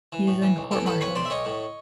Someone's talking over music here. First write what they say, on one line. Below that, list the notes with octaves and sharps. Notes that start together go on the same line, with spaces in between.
He is then court-martialed.
E3
A2
E3
B1
E3 G4 A4
A2 A4 B4
B1 B4 C#5
B1 C5 D5
E5
B1 C#5 D#5
A2